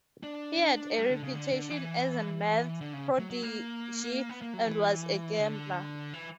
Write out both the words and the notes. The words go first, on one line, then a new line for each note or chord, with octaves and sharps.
He had a reputation as a math prodigy and was a gambler.
D4
G3
D3
C#3
D3
D3
E3
D3
C#3
F#3
F#3
A#3
B3
A#3
F#3
E3
D3
E3